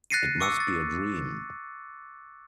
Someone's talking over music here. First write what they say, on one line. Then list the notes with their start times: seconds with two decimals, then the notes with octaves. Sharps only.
It must be a dream!
0.10 F#6 A6 A#6 C7 C#7 D#7
0.40 C#6 D6 E6 C#7
0.60 A6